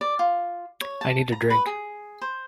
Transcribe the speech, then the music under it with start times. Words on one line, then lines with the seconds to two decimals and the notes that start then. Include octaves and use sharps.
I need a drink.
0.01 D5
0.19 F4
0.81 C#5
1.01 A5
1.32 A#5
1.50 B4
1.66 G#4
2.21 C5